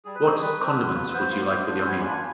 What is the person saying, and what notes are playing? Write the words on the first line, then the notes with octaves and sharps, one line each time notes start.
What condiments would you like with your meal?
G3 G#4
B4
C4 D#4 G#4
G3 B4
C4 D#4
B3
F4
B3 C5
F4
B3
D4 F4
B3 G#5
B5
D4 F4
G#5